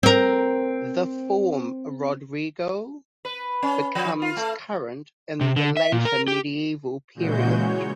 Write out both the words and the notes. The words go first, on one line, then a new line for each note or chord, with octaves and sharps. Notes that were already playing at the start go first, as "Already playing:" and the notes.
The form "Rodrigo" becomes current in the later medieval period.
C4 A#4
B4
C#4
F3
F4
A3
C3
D3
E5
A#2
A#4
G4
A#2 C#3 E3 G#3 F#4 G6
C#5